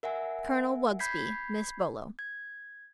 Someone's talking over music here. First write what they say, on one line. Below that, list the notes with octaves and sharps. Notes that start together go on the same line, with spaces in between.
Colonel Wugsby--Miss Bolo.'
A#4 E5 F#5 G#5
B5 G6 G#6 B6 C7
G#6